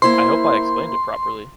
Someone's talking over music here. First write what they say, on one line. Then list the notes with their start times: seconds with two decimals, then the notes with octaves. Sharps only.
I hope I explained it properly.
0.02 A#3 E4 C5 C6